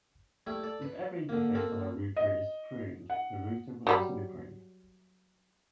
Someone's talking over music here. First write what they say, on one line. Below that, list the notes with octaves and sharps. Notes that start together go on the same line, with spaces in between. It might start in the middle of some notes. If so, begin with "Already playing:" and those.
If every interface on a router is pruned, the router will also be pruned.
G3 A3 E4
A4 D5
B4
D3 A#3
A#3 C4 A4
D#5
F#5
F#3 G3 B5